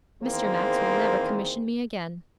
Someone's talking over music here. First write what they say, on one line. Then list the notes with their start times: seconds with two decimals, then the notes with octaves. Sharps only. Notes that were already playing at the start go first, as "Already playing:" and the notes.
'Mr. Max will never commission me again.'
0.23 E2 D#3 A#3 C4 G#4 C5